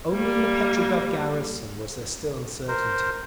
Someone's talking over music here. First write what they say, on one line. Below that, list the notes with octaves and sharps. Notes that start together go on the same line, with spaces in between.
Only in the Petrograd garrison was there still uncertainty.
G3 A#3
A#4 C5